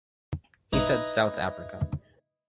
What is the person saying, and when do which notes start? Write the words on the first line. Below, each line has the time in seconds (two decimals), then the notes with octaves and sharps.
He said, South Africa.
0.73 D#4 E4 B4 D#5 A#5